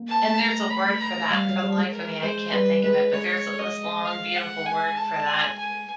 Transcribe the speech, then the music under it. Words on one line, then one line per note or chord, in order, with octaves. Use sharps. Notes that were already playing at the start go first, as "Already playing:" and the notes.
and there's a word for that and for the life of me, I can't think of it, but there's this long, beautiful word for that.
Already playing: A#3
A5
A3 A#5
B5
A#5
G3 F5
F#3
G3
G#3
A#4
G#3 C5
G3 B4
G#3 B4
G#3 C#5
D#5
F5
F#5
G#5
A5
G#5
G#5